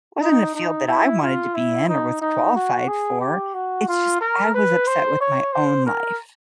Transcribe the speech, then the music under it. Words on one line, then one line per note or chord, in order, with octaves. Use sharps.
wasn't in a field that I wanted to be in or was qualified for. It's just I was upset with my own life.
D#4
D#4
E4
F4
E4
D#4
D#4
F#4
G#4
G4
F#4
F4
A#4
B4
C5
C#5
C5
A#4